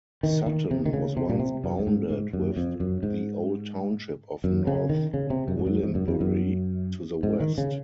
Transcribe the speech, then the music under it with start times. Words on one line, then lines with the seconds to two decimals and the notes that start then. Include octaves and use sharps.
Sutton was once bounded with the old township of North Gwillimbury to the west.
0.23 D#3
0.46 D#3
0.71 C3
0.86 D#3
0.93 C#3
1.17 C3
1.29 A#2
1.40 C3
1.64 F#2
1.79 F#2
1.87 G#2
2.10 G#2
2.33 F#2
2.57 F2
2.80 F#2
3.03 G#2
4.44 F#2
4.67 C#3
4.89 D#3
5.14 C#3
5.30 C3
5.48 F#2
5.59 G#2
5.66 F#2
5.83 G#2
5.95 F#2
6.08 F2
6.21 F#2
7.23 G#2
7.40 D#3
7.58 C#3